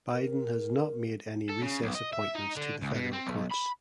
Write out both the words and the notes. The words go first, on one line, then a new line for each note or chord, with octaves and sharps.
Biden has not made any recess appointments to the federal courts.
A#4
A4
C#3
B1
D#5
E5
D#4
D3
C#2
B2
C4
B1
B5